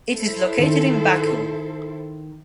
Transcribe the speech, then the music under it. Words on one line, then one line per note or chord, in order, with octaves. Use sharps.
It is located in Baku.
E4 A4 C5
D#3